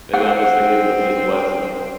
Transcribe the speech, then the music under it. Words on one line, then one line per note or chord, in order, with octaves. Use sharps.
maybe I'm just thinking of the Midwest North,
C4 F#5